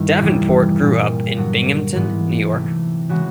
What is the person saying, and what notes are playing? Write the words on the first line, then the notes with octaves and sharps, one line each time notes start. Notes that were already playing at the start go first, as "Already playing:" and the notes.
Davenport grew up in Binghamton, New York.
Already playing: G2 D#3 E4
E2 C3 E3 G3 A#3
A#2 G3 A#3
G2 D3 F#3
G#2 E3 G#3 B3
C3 E3 A3
C#3 E3 G#3 F#4